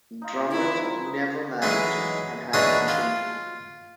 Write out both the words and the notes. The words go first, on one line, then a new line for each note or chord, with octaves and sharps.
Drummond never married and had no children.
D#4 F4
A#2
G3 C4 E4 A#4
A#4
C3 G#3 B5
E3 F#3 G#3 D#4
E3 G#3 D4 D#4 F#4 C#5
F4